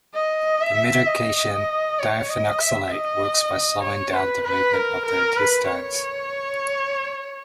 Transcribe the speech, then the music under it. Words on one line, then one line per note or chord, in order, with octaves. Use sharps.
The medication diphenoxylate works by slowing down the movement of the intestines.
D#5
E5
D#5
C#5
D#5
E5
D#5
C#5
B4
B4
A#4
A#4
B4
C#5